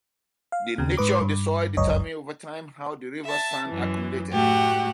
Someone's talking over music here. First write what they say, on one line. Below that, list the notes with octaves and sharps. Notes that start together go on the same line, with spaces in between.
The nature of the soil determined over time how the river's sand accumulated.
F5
D#2 C#3
G#2 B4 D6
G2
G1 C#2 F#2 C#5 D#5
E5 A5
F#2 E3
A2 A3 F#4 G4 F#5